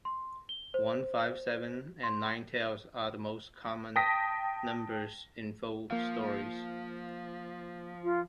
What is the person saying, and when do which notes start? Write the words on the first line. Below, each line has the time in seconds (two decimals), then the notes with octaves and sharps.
One, five, seven, and nine tails are the most common numbers in folk stories.
0.05 C6
0.49 G7
0.74 C5
2.03 C6
3.96 G5 A5 D#6 A#6 B6
5.91 F3 A#3 F5
8.03 F4